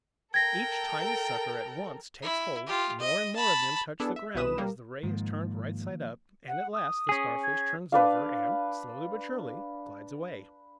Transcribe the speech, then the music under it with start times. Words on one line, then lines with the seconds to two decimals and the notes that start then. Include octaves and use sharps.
Each tiny sucker at once takes hold, more and more of them touch the ground as the ray is turned right side up, and at last the Starfish turns over, and, slowly but surely, glides away.
0.34 A4 A#4 G5 G#6 A#6
2.22 E4
2.66 F4 G4
3.00 D#5
3.36 A5 B5
4.00 B3 D4 E4 G#4 A4
4.16 E5
4.35 C2 B2 E3 B4 D#6 E7
4.58 G3 A#3
5.03 G#2 D#3 F3 A#3
6.48 F#5
6.73 D#6
7.09 C#4 G#4
7.43 G#6
7.92 D4 B4 D5 F5